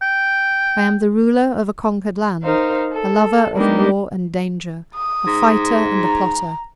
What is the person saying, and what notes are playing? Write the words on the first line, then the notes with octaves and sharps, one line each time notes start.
I am the ruler of a conquered land, a lover of war and danger, a fighter and a plotter.
G5
D#4 A#4 C5 F5
A4
G#3 A#3 B3 D4 D#4 G4
D#6
G#2
A#5